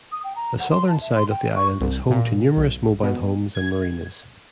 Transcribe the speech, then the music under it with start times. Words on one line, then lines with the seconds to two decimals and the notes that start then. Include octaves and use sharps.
The southern side of the island is home to numerous mobile homes and marinas.
0.12 D#6
0.24 G5
0.36 A#5
0.59 F#5
0.71 C6
0.88 A5
1.01 E5
1.15 C6
1.30 G5
1.56 C#6
1.80 C2
2.10 A#2
2.57 B1
3.02 B2
3.55 G#6